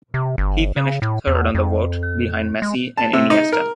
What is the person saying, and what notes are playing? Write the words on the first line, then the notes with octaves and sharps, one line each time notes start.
He finished third on the vote, behind Messi and Iniesta.
C3
G1
C#3
A2
E2
F2
G#3
A5
C3
D#4
A#4